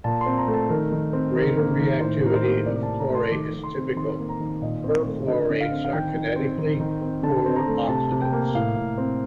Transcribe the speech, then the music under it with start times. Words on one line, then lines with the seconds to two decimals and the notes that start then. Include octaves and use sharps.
The greater reactivity of chlorate is typical - perchlorates are kinetically poorer oxidants.
0.04 A#2 A5
0.21 C6
0.26 C4
0.38 A#5
0.48 A3
0.54 A5
0.69 D#3 A#4
0.92 D#3
1.13 C4
1.35 D#3 A#4
1.57 A#3
1.79 D#3
2.01 A2 C5
2.23 A2 A#4
2.34 C5
2.44 A#3
2.66 C3 D5
2.83 A5
2.88 C3
2.99 A#5
3.10 A3
3.15 C6
3.31 D#3 D6
3.53 D#3
3.64 C6
3.75 C4
3.96 D#3 C6
4.19 A#3
4.29 A#5
4.40 D#3
4.62 A#2 D#5
4.84 C4
5.06 A3
5.27 D3 D#5
5.50 D3
5.61 F5
5.71 C4
5.85 F5
5.93 D#3 G5
6.14 D#3
6.36 C4
6.58 D#3
6.80 D#3
7.02 C4
7.23 D3 A5
7.46 C4
7.56 A#5
7.67 A3
7.89 C3 A5
8.12 C3
8.22 G5
8.32 A#3
8.54 A2 F5
8.76 A2
8.98 C4